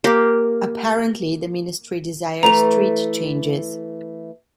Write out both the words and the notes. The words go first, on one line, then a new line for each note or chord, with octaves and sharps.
Apparently, the ministry desires treaty changes.
A#3 G4
E3 A3 A#5 F7